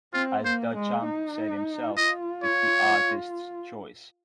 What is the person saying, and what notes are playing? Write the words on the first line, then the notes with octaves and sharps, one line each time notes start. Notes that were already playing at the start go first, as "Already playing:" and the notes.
As Duchamp said himself, it's the artist's choice.
C4 F4
A#3 C5
G#3
D#4
F4 D#5
C#5